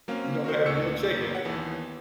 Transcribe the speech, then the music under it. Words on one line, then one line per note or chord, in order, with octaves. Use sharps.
you don't have in you're checking,
F#3 A#3 C4 C#4 F5
F#4 A#4 C5
D2 A#2 C#6 E6 C#7
G1 A#3
C#5 F#5
D#2 E3 B3